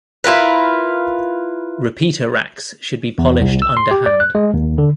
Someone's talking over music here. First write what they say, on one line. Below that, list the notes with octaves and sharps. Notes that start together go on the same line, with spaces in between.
Repeater racks should be polished underhand.
E4 F4 A#4 B4
E2
C2
E6
C6
G4
D5
F#6
G#3
D#2
D3